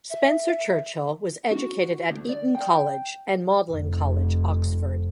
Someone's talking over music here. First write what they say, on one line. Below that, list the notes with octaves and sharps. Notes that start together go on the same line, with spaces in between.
Spencer-Churchill was educated at Eton College and Magdalen College, Oxford.
E5
F#4
D2
D5
G5
F1 F2